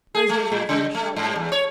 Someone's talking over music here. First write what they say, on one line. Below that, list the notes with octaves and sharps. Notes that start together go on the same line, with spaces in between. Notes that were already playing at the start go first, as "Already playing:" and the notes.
Rosier gave her a sharp look.
G#4
A3
A2
C#3
A3
G#2
E2
C#5